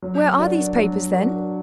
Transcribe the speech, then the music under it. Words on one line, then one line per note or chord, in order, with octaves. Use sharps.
"Where are these papers, then?"
F#3
D4 F#4 A#4 D5
F#3
D4 F#4 A#4 D5